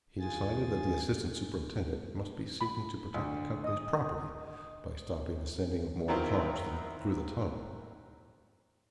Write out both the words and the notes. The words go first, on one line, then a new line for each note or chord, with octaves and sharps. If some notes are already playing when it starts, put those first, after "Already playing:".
He decided that the assistant superintendent must be seeking to protect the company's property by stopping the sending of more cars through the tunnel.
D#2 F4 G#4 G#5 A6
B5
D2
D#5 D#6
D#3 F#3 C4 E4 F4